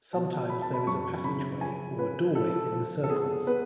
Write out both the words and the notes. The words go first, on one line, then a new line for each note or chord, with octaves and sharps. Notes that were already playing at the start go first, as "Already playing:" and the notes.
Sometimes there is a passageway, or a doorway, in the circles.
B2 A5
B2 B5
A5
B5
F#2 C#6
C#3 B5
F3 G#5
C#4 B4
F3 A4
F3
A4
B3 G#4
B3 B4